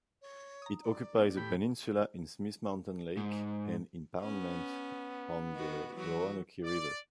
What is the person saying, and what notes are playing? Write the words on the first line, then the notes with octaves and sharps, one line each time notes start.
It occupies a peninsula in Smith Mountain Lake, an impoundment on the Roanoke River.
C#5
A#5 D#6
D5
B3 E4
A2 G4 B5
G#2
B3 C#4
D#3 F#4
E3 F#3 F#4
D5